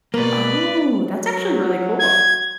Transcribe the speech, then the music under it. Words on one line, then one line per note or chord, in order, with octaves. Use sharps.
Oh, that's actually really cool.
B2 A#3 B4 D5
F#3
G#6